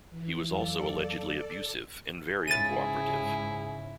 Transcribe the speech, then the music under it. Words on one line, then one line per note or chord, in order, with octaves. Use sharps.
He was also allegedly abusive and very uncooperative.
E3
F2 F#3 A4 D5 F5
G#2 C#3 E4 G#4 A6 D#7